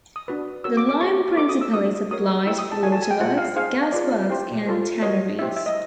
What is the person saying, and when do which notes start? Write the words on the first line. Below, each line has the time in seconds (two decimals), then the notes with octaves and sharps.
The lime principally supplied for waterworks, gas works and tanneries.
0.16 D#6
0.28 D4 F#4 B4
0.64 F#4 A#4 C#5 E6
0.77 D6
0.89 D6
1.01 F4 G#4 C5 C#6
1.37 C#4 F#4 A4 C5 D6
1.49 D#6
1.61 E6
1.73 D4 F#4 B4 D#6
2.11 F#4 A#4 C#5 D#6
2.46 E4 G4 C5 E6
2.59 D#6
2.72 A5
2.83 F#4 A4 C#5 G#5
2.92 A5
3.02 G#5
3.11 G5
3.20 F4 G#4 C5 F#5
3.38 F5
3.56 D#4 G#4 C5 F5
3.93 F4 G#4 B4 D5
4.29 E4 G4 C5
4.67 F4 A4 C5
5.02 F#4 A#4 C#5 D#5
5.39 E4 G4 C5 E5
5.57 E5
5.66 D#5